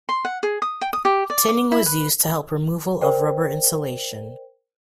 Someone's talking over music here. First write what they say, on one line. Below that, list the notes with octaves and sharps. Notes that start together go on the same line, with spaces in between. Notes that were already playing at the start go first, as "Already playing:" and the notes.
Tinning was used to help removal of rubber insulation.
C6
F#5
G#4
D#6
G5
D#6
G4
D5
D6
E4
B4
A#4 C5 D5 G5